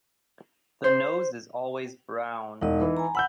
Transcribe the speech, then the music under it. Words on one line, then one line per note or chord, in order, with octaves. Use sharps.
The nose is always brown.
C5
E1 D#4 D#5
E3
G#5 A#5
F#5 B5 E6 G6